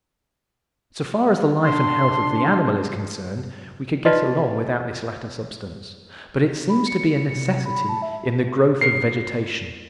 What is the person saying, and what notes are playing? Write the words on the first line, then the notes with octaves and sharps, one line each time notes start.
So far as the life and health of the animal is concerned we could get along without this latter substance, but it seems to be a necessity in the growth of vegetation.
D4 C6
D#4 F4 B4 D5 D#5 C6
B5
C#7
C3
B5
A5
E5
B2 A#4 C7 C#7